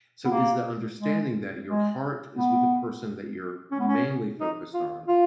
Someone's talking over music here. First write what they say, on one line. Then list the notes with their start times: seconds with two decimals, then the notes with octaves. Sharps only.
So, is the understanding that your heart is with the person that you're mainly focused on,
0.25 B3
0.31 A#3
0.99 G#3
1.67 G#3
2.36 B3
3.71 C#4
3.79 B3
3.87 C#4
4.40 D#4
4.73 F4
5.08 F4